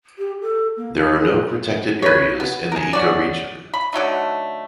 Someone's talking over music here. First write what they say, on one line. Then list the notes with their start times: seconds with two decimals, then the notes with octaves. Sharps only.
There are no protected areas in the ecoregion.
0.18 G4
0.41 A4
0.77 A#3
0.95 D#4
1.20 G#4
2.02 B4 C#5
2.40 B3
2.72 G#4 A#4
2.93 C#4 F#4 D5
3.74 B5
3.93 D3 F#3 A3 D#4